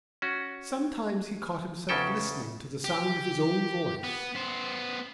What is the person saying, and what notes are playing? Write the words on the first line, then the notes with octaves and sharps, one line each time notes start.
Sometimes he caught himself listening to the sound of his own voice.
C#4 F#4
E2 C#3 C#4 A4 G5
G4
B3
B3 C5